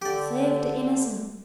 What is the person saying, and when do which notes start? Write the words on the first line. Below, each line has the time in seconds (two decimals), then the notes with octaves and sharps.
Save the innocent!
0.02 D3 G4 D5